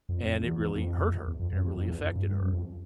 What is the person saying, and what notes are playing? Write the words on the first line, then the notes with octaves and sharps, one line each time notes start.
and it really hurt her, and it really affected her,
F2
F2
E2
E2
F2
E2
F2
F#2
F2
F2
E2
F2
G2
G2
F#2
F2